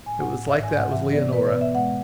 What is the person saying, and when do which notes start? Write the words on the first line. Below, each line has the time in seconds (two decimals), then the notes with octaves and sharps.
It was like that with Leonora.
0.06 A2 G#5
0.21 F#5
0.28 A2
0.48 G#2 E5
0.63 G#5
0.70 G#2
0.77 F#5
0.91 E3 E5
1.13 B3 D5
1.33 B2 B4
1.47 D5
1.54 B3
1.61 E5
1.75 G#3 F#5